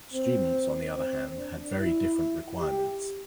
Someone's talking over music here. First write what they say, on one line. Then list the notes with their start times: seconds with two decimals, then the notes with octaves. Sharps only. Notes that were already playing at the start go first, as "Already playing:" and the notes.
Students, on the other hand, had very different requirements.
0.13 C4
0.96 C4
1.37 D4
1.78 E4
2.60 G4